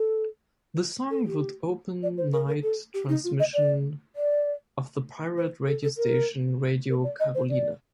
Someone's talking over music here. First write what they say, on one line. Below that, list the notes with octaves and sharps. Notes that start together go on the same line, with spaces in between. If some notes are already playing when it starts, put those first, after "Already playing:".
The song would open night transmission of the pirate radio station Radio Caroline.
Already playing: A4
A4
G4
D5
C5
A#4
A#4
A4
G4
D#4
F4
D#5
D5
D5
C5
A4
A4
A#4
A#4
D5
D#5
C5
D5